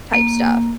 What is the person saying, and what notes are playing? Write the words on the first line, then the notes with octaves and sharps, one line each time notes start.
type stuff.
A#3